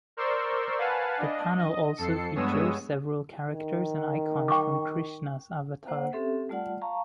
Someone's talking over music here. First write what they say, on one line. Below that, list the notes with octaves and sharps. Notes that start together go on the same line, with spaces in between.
The panel also features several characters and icons from Krishna's avatar.
A#4 C5 D5 C6 C#6 E6
B4 F5 F#5 G#5 A5
D4 D#5
D#5
F2 A4 C7 C#7
G2 G#3 B3 C#5 D#6 E6
D#3
G5 C#6 D6
A#3 C5 F#5
C4 C#4 G4 A4 E5
G3 A3 F4 D5 F#5 A5
F5 A5 A#5 C#6